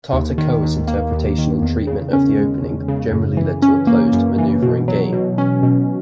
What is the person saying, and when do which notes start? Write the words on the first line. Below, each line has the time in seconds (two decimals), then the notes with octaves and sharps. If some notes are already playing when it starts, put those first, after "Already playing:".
Tartakower's interpretation and treatment of the opening generally led to a closed, manoeuvring game.
0.13 D#2
0.38 D#3
0.63 D#2
0.88 A#3
1.12 D#2
1.38 D#3
1.62 E2
1.87 C#3
2.13 C#4
2.38 G#3
2.62 E2
2.88 C#3
3.12 F#2
3.37 E3
3.62 C#4
3.87 A#3
4.13 F#2
4.38 E3
4.62 B2
4.88 F#3
5.12 B2
5.38 C#4
5.63 B2